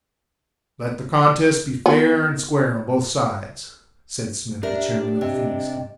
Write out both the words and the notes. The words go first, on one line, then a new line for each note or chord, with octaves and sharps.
"Let the contest be fair and square on both sides," said Smith, the chairman of the Phoenix committee.
B3
D4 G4 A#4 D5 E5
C3 D#5